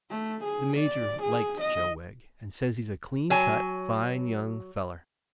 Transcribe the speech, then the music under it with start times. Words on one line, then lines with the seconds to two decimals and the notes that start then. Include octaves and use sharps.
The Major liked Joe Wegg, and says he's a clean-cut, fine young feller.
0.10 A3
0.44 G#4
0.77 D5
1.23 G#4
1.61 D#5
3.30 F#3 G#5